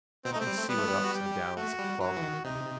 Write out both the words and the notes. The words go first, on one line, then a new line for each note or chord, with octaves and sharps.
You can see what ups and downs have fallen to me.
B2 C4
D#4
A3
C4
G3
A3
G3 B3
A3
G3
F#4
G4
A3 F#4
G3
F#3 F#4
E3
D#3
C3 D#4